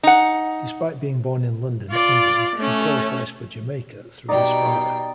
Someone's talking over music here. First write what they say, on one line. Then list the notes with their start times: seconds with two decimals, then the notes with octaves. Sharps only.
Despite being born in London, England he qualifies for Jamaica through his father.
0.03 D#4 F#5
1.91 F4 D5
2.56 A3 C#4
4.29 B2 G3 D#4 D5 G5